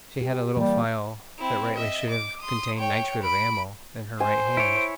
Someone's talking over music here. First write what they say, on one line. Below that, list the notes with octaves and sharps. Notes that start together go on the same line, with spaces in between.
She had a little phial that rightly should have contained nitrate of amyl, in her right hand.
G4
E3 G3 A#3
C4 E4
D#5 E5
D6
C6 D#6
C#5 G5
B5 D7
C5 G#5
E4 C#5 D7